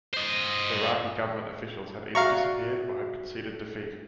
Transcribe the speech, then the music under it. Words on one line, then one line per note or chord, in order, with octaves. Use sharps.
Iraqi government officials had either disappeared or had conceded defeat.
C5 D#5
F#4 D5 E5 F5 A#5 C#6